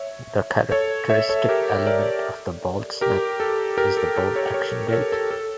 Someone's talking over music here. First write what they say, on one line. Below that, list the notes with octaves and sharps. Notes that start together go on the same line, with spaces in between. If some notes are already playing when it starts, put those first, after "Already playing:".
The characteristic element of the bolt snap is the bolt action gate.
Already playing: C#5 E5
A4 C#5
C#5 E5
A4 C#5
G4 A#4
A#4 D5
G4 A#4
A4
G4 A#4
A4
A4
A4 C#5
A4 C#5
A#4
A4 C#5
A4
A4